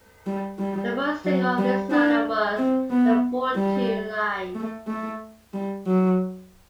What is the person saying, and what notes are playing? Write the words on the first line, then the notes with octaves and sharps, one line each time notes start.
The first single of this lineup was "The Fortune Line".
G3
G3
F#3
G3
D4
C4
B3
G3
A3
A3
G3
F#3